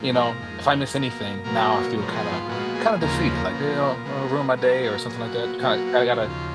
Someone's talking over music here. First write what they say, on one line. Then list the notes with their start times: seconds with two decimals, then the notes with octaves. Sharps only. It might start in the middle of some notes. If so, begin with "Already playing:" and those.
you know, if I miss anything, now I feel, kinda kinda, defeated, like, you know, I'll ruin my day or something like that k kinda, gotta,
Already playing: G#2 F3 A#3
0.15 A#4
0.40 F2 D#3 G#3
0.93 B2 A#3
1.44 B2 F#3 A#3 A#4
1.71 C#5
1.97 G#2 F3 B3 A#4
2.14 G#4
2.32 F4
2.48 A#2 G#3 B3 F#4
2.75 G#4
3.01 D#2 C#3 F3 A#3 A#4
3.18 B4
3.35 A#4
3.53 A#2 F3 B3
4.05 B2 G#3 B3
4.57 B2 F#3 A#3 A#4
4.83 A#4
5.09 A#2 F#3 B3 G#4
5.26 F#4
5.44 F#4
5.61 B2 F#3 A#3 F#4
5.87 F#4
6.13 D#2 C#3 F3 F4
6.30 F4